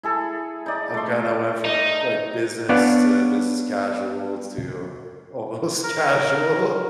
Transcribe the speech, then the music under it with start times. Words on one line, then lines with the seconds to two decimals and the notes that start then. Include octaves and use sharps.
I've kinda went from, like, business to business casual to almost casual.
0.03 E4 G#4 A4
0.66 D#4 D5
0.94 A3 C6
1.65 D#4
2.69 B3 D4 C#5 D5 F5 F#5
5.83 A#4